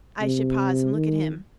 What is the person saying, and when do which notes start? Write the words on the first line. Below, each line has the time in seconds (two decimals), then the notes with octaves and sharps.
I should pause and look at him.
0.21 C3
0.95 D#3